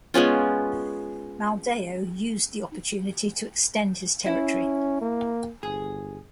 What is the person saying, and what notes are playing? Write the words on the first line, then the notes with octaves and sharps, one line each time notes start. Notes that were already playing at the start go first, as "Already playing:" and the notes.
Maldeo used the opportunity to extend his territory.
G#3 B3 C#4 F4
C#4 E4
A#3
G1 G#4